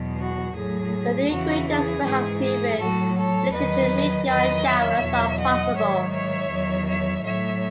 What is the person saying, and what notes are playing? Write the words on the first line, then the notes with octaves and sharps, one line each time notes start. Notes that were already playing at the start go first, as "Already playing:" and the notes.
But new craters, perhaps even related to meteor showers are possible.
Already playing: E2 B2 F#3
F#4
A2 F#3 G#4
E2 C#3 E3 F#4
G#4
G#2 E3 G#4
G#4
A2 F#3 F#4 A4
A4 C#5
E2 D#3 F#3 B4 D#5
E2 D#3 F#3 B4 D#5
C#5 E5
E2 B2 F#3
D#5 F#5
G#2 D#3 F#3 C#5 E5
C#5 E5
E2 D#3 F#3
C#5 E5
A2 F#3 C#5 E5